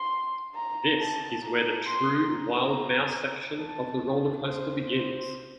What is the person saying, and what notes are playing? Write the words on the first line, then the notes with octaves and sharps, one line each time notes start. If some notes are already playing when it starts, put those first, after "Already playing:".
This is where the true wild mouse section of the roller coaster begins.
Already playing: C6
A#5
A5
A#5
C6
A#5
A5
C5
C5